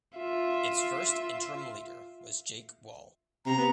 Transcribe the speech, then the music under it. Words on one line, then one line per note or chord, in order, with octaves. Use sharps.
Its first interim leader was Jake Wall.
F4 E5
C3 A#5
B3